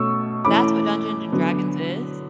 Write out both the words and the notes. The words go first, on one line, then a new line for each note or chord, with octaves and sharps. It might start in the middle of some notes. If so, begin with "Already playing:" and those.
That's what Dungeons& Dragons is?
Already playing: B2 A3 C#4 C#6 E6
E3 A3 C#4 B5 D6
D3 F#3 B3